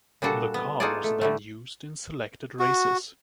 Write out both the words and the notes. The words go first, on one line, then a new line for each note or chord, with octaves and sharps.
The car was then used in selected races.
A#2 G3 D4 F#4 A4
B3
D#4 F4 F#4 G#4 A4 D5
A3
D3 G3 A3
F#4